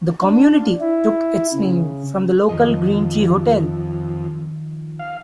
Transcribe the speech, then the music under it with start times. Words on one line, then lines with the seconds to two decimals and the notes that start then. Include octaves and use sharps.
The community took its name from the local Green Tree Hotel.
0.22 D4
0.81 E4
1.53 C#3
2.49 F2 D#3 F3 D#5
4.99 F5